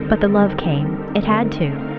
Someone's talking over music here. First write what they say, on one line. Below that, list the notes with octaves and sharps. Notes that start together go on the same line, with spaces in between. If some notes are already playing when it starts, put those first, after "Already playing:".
But the love came ... it had to.
Already playing: D#2 D3 G3 C4 D#4 A4 A#4
G4
A4
D3 A3 C4 D#4 A#4
F5